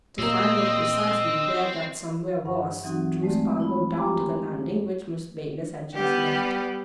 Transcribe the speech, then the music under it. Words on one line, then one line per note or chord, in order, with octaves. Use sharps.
To find out precisely where that somewhere was drew Spargo down to the landing which Miss Baylis had just left.
A#2 A#3 C4 D#5 E6
G2 F#5 C#6
E3 F#3 C4 D#4 F#4
G#3 A3 C4 D5
E4 F4 B5
G4 G5 G#5 A#5 C6 D6
G3 B3 G4